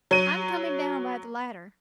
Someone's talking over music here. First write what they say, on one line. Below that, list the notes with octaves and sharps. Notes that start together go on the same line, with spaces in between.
"I'm coming down by the ladder."
F#3 D#7